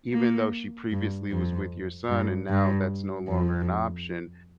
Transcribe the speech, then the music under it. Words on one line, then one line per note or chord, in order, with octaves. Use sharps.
Even though she previously was with your son and now that's no longer an option,
A#3
G2
F2
G2
G2
F2